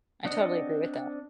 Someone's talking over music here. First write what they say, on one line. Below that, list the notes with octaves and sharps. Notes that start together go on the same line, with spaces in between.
I totally agree with that.
C4 D4 D#5 F#5